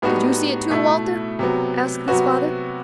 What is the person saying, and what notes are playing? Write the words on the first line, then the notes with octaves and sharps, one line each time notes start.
"Did you see it, too, Walter?" asked his father.
A2 G3 B3 D#4 F#4
B2 A3 E4
C3 F#3 B3
C3 F#3 B3 F#4